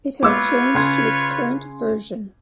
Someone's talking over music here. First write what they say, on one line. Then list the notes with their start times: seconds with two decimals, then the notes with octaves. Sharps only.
It has changed to its current version.
0.23 G#3 A#3 B3 F4 B4 C#5 D6 E6
0.74 C#3 C6 G#6